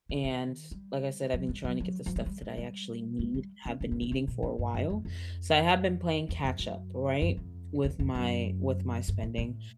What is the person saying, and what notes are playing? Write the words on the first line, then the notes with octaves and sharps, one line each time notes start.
and like I said, I've been trying to get the stuff that I actually need, have been needing for a while, so I have been playing catch-up, right, with my with my spending,
D3
D#3
G3
F#3
G3
F#3
F#3
F3
G3
G3
G#3
G3
G#3
G3
C#3
C3
C#3
D3
C#3
B2
C#3
G2
F#2
F2
F2
E2
F2
F#2
F#2
F2
E2
F2
F#2
G2
A2
A2